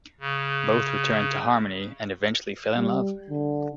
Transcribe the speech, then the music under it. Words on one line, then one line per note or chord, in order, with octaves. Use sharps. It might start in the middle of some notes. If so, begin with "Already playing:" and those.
Both returned to Harmony and eventually fell in love.
C#3
G3
D3